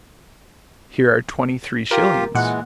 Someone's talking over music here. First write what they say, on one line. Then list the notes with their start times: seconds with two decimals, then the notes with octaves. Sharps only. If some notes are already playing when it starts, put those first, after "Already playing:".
Here are twenty-three shillings.
1.91 F4 G4 A#4
2.35 A#2 E3 G#3 F#5